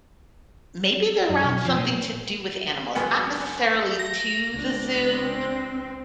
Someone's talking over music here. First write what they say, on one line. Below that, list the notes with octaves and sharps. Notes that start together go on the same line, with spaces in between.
maybe they're around something to do with animals, not necessarily to the zoo,
F#2
B1
F3
A#2
C#2 F#2 B3 F#5
A#6
C#2 D4
C4